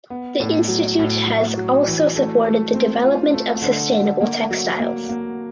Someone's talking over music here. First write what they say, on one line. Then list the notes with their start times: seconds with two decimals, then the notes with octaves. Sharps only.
The institute has also supported the development of sustainable textiles.
0.10 B3
0.40 A2
0.68 F#3
0.99 A2
1.27 F#3
1.57 F#3
1.87 E3
2.15 A3
2.45 A3
2.74 C4
3.04 F4
3.34 A3
3.62 D3
3.92 D3
4.21 A#3
4.51 F#3
4.79 A#3
5.09 A#3